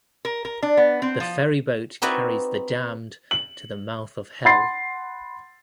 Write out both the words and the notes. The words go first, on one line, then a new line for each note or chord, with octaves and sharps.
The ferry boat carries the damned to the mouth of hell.
A#4
A#4
D4
B3
C4
F3
C4 D#4 E4 F#4 B4 D5
F#7
F#5 B5 C6 A6 C7